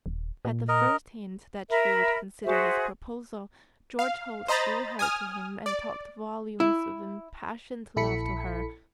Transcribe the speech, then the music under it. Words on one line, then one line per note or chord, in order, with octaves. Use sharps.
At the first hint that she would consider his proposal George Holt drew her to him and talked volumes of impassioned love to her.
D#1
A#2
A#4 D#5
A#4 E5 B5
F#4 G#4 C5 E5
F5
C5 D#5 A#5 B5 A6
G#5 D#6 F6
D5
E4
A#1 E4 A4 B5 B6 C#7